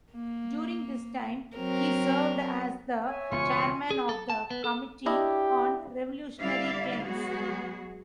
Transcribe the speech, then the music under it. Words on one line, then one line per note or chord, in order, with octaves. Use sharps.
During this time, he served as the Chairman of the Committee on Revolutionary Claims.
A#3
F#3 C4 A#4
C#5 E5 G#5
E1 C#2 B3 F4 C#6
G#4
A4
A5
B3
A4
D4 E4 G4 D#5
D3 G3 E4 D5 E5 F5
F#3 G#3 B3 F#4 G#4